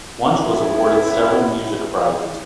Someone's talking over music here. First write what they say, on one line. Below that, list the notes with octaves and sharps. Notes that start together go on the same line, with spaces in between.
Wunsch was awarded several music prizes.
B3 C#4 E4